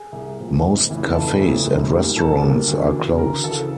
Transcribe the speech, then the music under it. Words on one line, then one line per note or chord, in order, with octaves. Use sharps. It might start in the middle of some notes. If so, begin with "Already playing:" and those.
Most cafes and restaurants are closed.
Already playing: G#4 G#5
C2
A#2 F3 A3
F1
F2 C#3 E3 A3
F1 A4 A5
F2 C#3 E3 A3
E1
D#2 D#3 G3 A#3
E1 A4 A5
D#2 D#3 G3 A#3
D2
C#3 E3
D2 A#4 A#5
C#3 E3 A4 A5